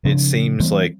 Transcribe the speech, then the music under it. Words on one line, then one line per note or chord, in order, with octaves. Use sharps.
it seems like
C#3 F3 C4 D4
E3 G3 B3 C4